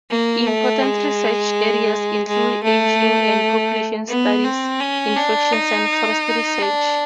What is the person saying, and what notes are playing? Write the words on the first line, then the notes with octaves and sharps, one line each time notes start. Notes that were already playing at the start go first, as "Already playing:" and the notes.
Important research areas include ageing and population studies, infections, and forest research.
A#3
A3
G#3
G#3
A3
B3
C4
C#4
D4
D#4
D4